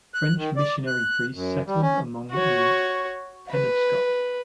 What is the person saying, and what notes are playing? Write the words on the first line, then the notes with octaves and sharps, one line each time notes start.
French missionary priests settled among the Penobscot.
F#6
D#3
D5
F#6
F#2
G3
C#4
F#4 C#5
B4